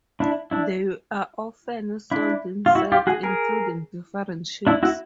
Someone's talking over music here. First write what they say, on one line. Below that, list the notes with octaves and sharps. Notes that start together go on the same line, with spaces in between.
They are often sold in sets, including different shapes.
D4 E4
D4 E4
D4 E4
F4
E4 F#4
F4 G4
F#4 G#4
G#4 A#4
D4 E4
E4 F#4